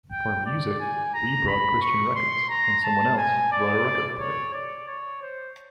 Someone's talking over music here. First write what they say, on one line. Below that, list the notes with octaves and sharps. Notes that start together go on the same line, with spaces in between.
For music, we brought Christian records and someone else brought a record player.
G5
D5
G#5
A#5
B5
C#6
C6
A#5
A5
G#5
D5
C#5
D5
C#5
C5